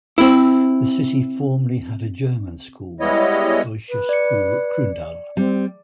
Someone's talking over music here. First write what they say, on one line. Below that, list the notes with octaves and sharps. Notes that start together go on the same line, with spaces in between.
The city formerly had a German school, Deutsche Schule Kroondal.
C4 E4
G3 G#3 B3 E4 C#5 D#5
B4
D5 C#7
G3 C4